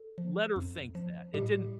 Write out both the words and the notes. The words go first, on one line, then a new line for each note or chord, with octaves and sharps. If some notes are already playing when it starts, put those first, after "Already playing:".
let her think that, it didn't
Already playing: A4
F3
F2
F3
A2 G3 G4